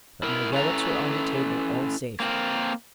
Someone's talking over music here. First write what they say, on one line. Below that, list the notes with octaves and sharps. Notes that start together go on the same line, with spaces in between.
But my relics were on the table, all safe.
E4 A#4
C#4 E4 A4 B4 F5 A#5
A#3 C4 F#4 A#4